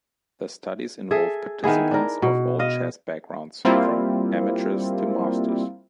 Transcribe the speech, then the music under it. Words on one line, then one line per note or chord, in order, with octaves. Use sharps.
The studies involve participants of all chess backgrounds, from amateurs to masters.
G#4 A4 E5
D#3 B3 E4 G#4
D4 A#4
B2
D#5 F5
G3 A#3 C4 E4 F4